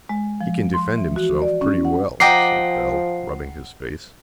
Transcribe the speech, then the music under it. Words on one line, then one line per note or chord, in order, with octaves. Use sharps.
"He can defend himself pretty well," said Bell, rubbing his face.
G#3
F3
C6
E3
F#4
D5
C#4
F#5
F3 D#5 F#5 G5 A#5 D6 C7